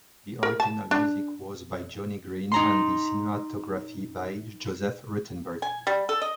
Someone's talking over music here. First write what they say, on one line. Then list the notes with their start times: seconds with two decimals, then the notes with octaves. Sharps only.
The original music was by Johnny Green and the cinematography by Joseph Ruttenberg.
0.43 A#4
0.60 A5
0.91 D4
2.52 D#4 A#5 C6
5.62 G#5
5.87 G3
6.09 A4
6.22 D#5